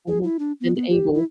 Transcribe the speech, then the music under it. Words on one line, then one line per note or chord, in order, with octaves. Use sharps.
Mhm, and able.
G#4
E4
D4
B3
B3
G4
E4